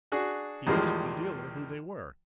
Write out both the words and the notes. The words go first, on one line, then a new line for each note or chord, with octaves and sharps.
He asked the dealer who they were.
D4 F#4 G#4
E2 A2 D#3 F3 G3 G#3